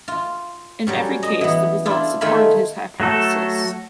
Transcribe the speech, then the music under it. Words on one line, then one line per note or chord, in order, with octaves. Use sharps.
In every case, the results supported his hypothesis.
F4
F#3 G3 C#4
D#5
E3 B3
D4 E4 F4
D#3 A3 F4 G#5 B5
F#3 A3 F#4 A4